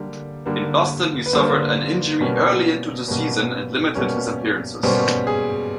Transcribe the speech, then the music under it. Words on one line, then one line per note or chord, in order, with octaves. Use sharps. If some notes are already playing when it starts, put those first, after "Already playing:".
In Boston, he suffered an injury early into the season and limited his appearances.
Already playing: D3 G3 A#3
D3 G3 A#3
B4
D3 G3 A#3 C5
B2 G3 A#3 C#4
B2 G3 A#3 C#4 B4
B2 G3 A#3 C#4
B2 G3 A#3 C#4 C5
G#4